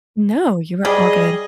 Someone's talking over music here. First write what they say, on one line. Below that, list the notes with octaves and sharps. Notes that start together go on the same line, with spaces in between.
No, you were all good.
G3 G#4 D#5